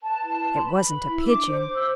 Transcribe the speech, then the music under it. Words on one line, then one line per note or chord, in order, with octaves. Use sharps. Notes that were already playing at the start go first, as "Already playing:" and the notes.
It wasn't a pigeon.
B4 A5
E4
B4
C6
B4 B5
B4
E4
E6
D4 D6
C5
C5
E6